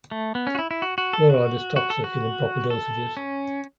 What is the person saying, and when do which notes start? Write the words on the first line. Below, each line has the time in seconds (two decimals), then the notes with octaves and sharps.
Fluoride is toxic in improper dosages.
0.11 A3
0.35 B3
0.47 C#4
0.55 F#4
0.59 E4
0.71 E4
0.82 F#4
0.98 F#4
1.13 A4
1.30 F#4
1.76 F#4
1.90 A4
2.04 F#4
2.70 A4
3.17 C#4